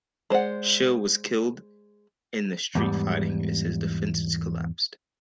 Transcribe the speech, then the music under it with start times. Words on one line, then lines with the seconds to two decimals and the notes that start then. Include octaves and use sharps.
Schill was killed in the street fighting as his defenses collapsed.
0.30 G#3 C5 D5 F#5
2.75 E2 G#2 G3